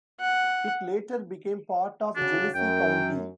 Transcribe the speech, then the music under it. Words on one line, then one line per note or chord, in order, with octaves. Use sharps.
It later became part of Genesee County.
F#5
C#3 D4 F#4
F#2 G5